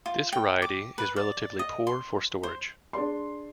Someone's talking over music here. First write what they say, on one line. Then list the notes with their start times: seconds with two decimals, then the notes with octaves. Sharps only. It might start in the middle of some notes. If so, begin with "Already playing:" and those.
This variety is relatively poor for storage.
0.06 F4
0.33 G5
0.62 D6
0.98 B4
1.16 D5
1.59 D#5
1.87 C6
2.43 C5
2.93 D4 G#4 D5 C6